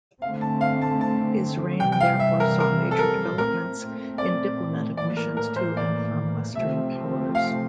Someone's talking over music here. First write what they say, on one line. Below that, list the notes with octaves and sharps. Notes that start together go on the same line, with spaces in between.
His reign therefore saw major developments in diplomatic missions to and from Western powers.
D3 A3 C4 F5
A5
F5
A5
A5
C3 E3 G3 G5
G5
F5
E5
A#4
A#4
A4
A#4
A#2 A3 C4 A#4
D5
A2 E3 A#3 D5
A#4
A#4
C5
D5
C3 F3 A3 C4 E5
F5